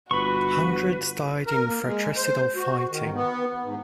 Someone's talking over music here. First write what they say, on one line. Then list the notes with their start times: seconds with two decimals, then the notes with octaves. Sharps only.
Hundreds died in fratricidal fighting.
0.11 G1 F#4 B4 B5 C#6
1.46 A#4
1.66 A#3
1.86 G#3
2.15 C5
2.56 F#4
2.90 D#3
3.14 B3
3.64 G#2